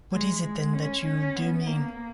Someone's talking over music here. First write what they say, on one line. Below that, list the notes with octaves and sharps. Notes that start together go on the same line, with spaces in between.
What is it, then, that you do mean?
G#3
G#3
C#4
C#4
B3
A#3